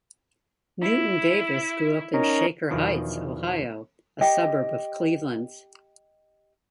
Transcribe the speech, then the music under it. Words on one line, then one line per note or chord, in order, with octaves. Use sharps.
Newton-Davis grew up in Shaker Heights, Ohio, a suburb of Cleveland.
E4
C#4 D#4 A#4
E2 B2 D#3 F3 D4
G4 D#5 G5